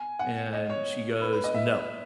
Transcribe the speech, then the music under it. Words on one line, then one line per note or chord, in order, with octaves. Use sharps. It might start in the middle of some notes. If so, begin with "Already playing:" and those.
And she goes, "No,"
Already playing: G#5
F#5
D#5
C#5
B4
B4
D#5
E5